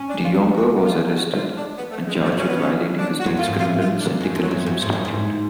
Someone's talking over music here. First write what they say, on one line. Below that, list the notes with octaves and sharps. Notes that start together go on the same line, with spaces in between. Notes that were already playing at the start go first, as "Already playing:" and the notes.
De Jonge was arrested and charged with violating the State's criminal syndicalism statute.
Already playing: C#4
D4
F4
F#4
F4
F#4
F4
D4
B3
A3
G#3
A3
F3
F#3 C#4
B3
C#4
D4
F#4
F2
F#2 F4
G#2
A2 F4
F4
D4
F#2 G#3
F2
F#3
F#2
F3
F#2
G#2
F#2
G#2